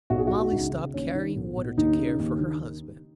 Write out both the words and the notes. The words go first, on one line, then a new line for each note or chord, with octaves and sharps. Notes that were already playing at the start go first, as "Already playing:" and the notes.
Molly stopped carrying water to care for her husband.
B1 F#4
G#4
F#4
B2
F#4
C#2 D#4
C#3
D#2 C#4
D#3
B1
B2
D#2 D#4
C#3
D#2
D#3